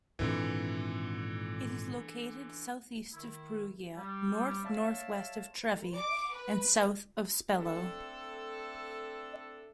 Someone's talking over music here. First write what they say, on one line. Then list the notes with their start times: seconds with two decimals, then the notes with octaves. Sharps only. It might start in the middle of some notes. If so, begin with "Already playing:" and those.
It is located south-east of Perugia, north-north-west of Trevi and south of Spello.
0.19 G#1 A#2 D3 E3 C4
3.14 D#3 E4
3.96 G3
4.64 C#5 D5 E5 F5 A5
5.94 D6
6.32 B4
7.55 A3 C4 D4 A4